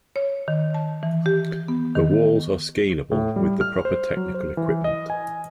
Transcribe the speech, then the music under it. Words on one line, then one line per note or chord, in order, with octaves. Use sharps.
The walls are scalable with the proper technical equipment.
C#5
D#3
A5
E3
G4
B3
D#3
A2
G3
F6
C5
F#3
C5
E3
D#5
G#5